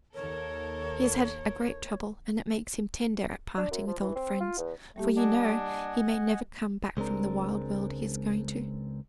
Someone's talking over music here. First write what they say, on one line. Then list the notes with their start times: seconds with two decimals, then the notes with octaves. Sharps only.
He has had a great trouble, and it makes him tender at parting with old friends; for you know he may never come back from the wild world he is going to.'
0.15 D#2 A4 A#4 C#5
3.57 D4
3.71 F#2
3.87 F3
4.01 E3
4.16 C4
4.40 F4
4.58 E2
4.96 G3 A3 A#3 G4
5.17 D4 D#5 F#5 G#5
6.97 C#2 G#3 C4 D4 A#4